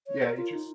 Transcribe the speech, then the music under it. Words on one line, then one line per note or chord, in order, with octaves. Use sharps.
Yeah, you just
C#5
A#4
F4
D#4